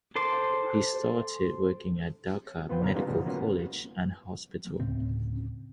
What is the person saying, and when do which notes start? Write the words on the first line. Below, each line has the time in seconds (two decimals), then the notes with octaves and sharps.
He started working at Dhaka Medical College and Hospital.
0.16 A4 C5 C6 D6
2.69 B3 F4 B4 C5 G5
2.82 B2 D3 F5 A#5
2.95 G3 B3 C#4 D#4 F4 F#4
3.08 A1 F#2 C#3 F3 G3 B3
3.26 A#3 B3 C#4 F4 F#4
4.80 D1 A2 C#3 C4